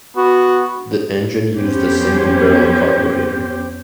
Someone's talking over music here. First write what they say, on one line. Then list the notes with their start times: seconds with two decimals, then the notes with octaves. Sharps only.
The engine used a single-barrel carburettor.
0.17 B3 F#4
1.56 F2 B3 C#4 G4 C5